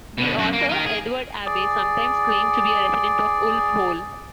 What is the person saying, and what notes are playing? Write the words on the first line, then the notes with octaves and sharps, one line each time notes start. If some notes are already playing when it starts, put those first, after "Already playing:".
The author Edward Abbey sometimes claimed to be a resident of Wolf Hole.
B2 D3
F#2 F#4
A#3
D#4 A#4
G#4
G#4 D5